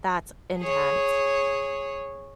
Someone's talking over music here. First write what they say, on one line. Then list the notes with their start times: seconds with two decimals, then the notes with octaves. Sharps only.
That's intense.
0.60 G#4 C#5